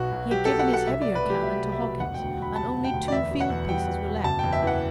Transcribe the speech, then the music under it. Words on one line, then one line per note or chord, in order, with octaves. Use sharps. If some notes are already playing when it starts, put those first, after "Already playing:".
He had given his heavier cannon to Hawkins, and only two field-pieces were left.
Already playing: B1 B2 F#4
B1
F#3 G4
B1 A4
F#5
B2
F#5
C2 E5
B2 D5
B4
A3 G4
F#3 E5
C2
E5
B2
E1 F#5
D2 G5
F#3
B5
C3 A5
E1
G5
D2
D5
E2 E5
B2
F#5
E2
G3 G5
E2
B2
F#1 A5
E2 G5
E5
E3 F#5